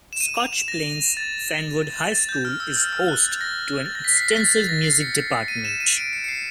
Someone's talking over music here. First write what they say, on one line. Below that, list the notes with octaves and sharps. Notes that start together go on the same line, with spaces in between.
Scotch Plains-Fanwood High School is host to an extensive music department.
E7
D#7
F7
E7
A#6
A6
A6
G6
F6
E6
F6
F6
F#6
A6
A#6
A6
A#6
B6
C7
A#6
A6
A6
A#6
C7
C#7
D#7
E7
D#7
D7
C#7
C#7
C7